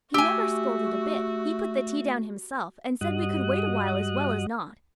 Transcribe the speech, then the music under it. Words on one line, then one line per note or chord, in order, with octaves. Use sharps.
He never scolded a bit. He put the tea down himself and said we could wait awhile as well as not.
A3 F#4 G4 G#5 E6
G2 G3 F#4 D#5 D#6 F#6